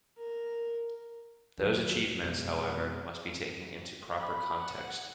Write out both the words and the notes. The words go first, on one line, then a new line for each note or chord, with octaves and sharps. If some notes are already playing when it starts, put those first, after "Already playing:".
Those achievements, however, must be taken into proper context.
A#4
D#2 F#3
F2 B2 G#3
B5
F#5